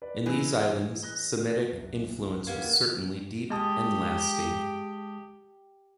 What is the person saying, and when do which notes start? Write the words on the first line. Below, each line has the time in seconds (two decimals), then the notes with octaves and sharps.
In these islands Semitic influence was certainly deep and lasting.
0.02 B4 D5
0.26 E3 D#4 G#4 B5 E6
1.03 F#6 A#6 G7
1.72 F#1 C2
2.47 D#2 A#3 B3 G4 G#6
3.50 G#3 G4 A5 D#6